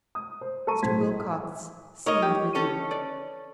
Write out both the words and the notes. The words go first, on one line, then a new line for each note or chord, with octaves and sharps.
Mr. Wilcox seemed relieved.
D#6
C5
A4 A#5 C#6 D#7
B1 A2 C5 C6 G#6 B6
D#4 A#4 C#5 D#5
G4
C#4 A4 C#5
B4 D5